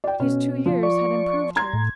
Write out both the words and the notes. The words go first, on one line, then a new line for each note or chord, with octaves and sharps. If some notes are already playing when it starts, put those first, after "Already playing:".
These two years had improved her.
D5 G5
B2 C#4
F3
D5 C#6
A#5 C6 G#6
A2